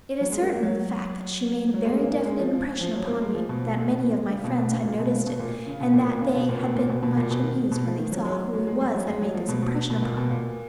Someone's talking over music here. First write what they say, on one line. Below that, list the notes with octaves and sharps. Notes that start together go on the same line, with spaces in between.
It is certainly the fact that she made a very definite impression upon me, that many of my friends had noticed it and that they had been much amused when they saw who it was that made this impression upon me.
F#3
G#3
A#3
A#3
F#3
F#3
G#3
A#3
A#3
G#3
F3
F3
F3
F#3
A#3
G#3
F3
B2
B2
A#2
C#3
B2
B2
C#3
A#2
B2
C#3
B2
A#2
C#3
B2
A#2
A#2
C#3
B2
A#2
B2
A#2
B2
B2
A#2
B2
D#3
B2
F3
D#3
F#3
F#3
F#3
G#3
G#3
F#3
G#3
F#3
F3
B2
B2
B2
A#2
B2
A#2